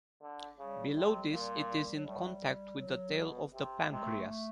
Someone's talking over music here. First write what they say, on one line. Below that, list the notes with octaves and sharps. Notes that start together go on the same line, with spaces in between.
Below this it is in contact with the tail of the pancreas.
D3
C#3 G3
C3
A#2
F#3
A2 G3
F#3
B2
C3
C3 G#3
A3
A3
A3